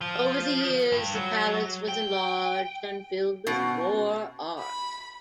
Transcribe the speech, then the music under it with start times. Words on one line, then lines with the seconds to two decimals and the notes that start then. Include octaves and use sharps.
Over the years the palace was enlarged and filled with more art.
0.01 F3
0.92 G2
1.15 F#3
1.88 G5
3.47 B2 B3 C#4
4.59 B5